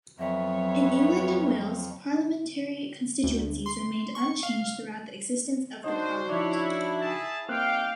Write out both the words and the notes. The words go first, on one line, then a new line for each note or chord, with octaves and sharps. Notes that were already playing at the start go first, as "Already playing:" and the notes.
In England and Wales parliamentary constituencies remained unchanged throughout the existence of the Parliament.
F2 F#3 B3 C4 C#5 E5
D2
C6
C#6
F5
D4 D#4 F#4 C5 D#5
F3 D#4 E4 C#5 D5
G#4 E5 A5
A#3 C4 D#4 G4 F5 G5 F#6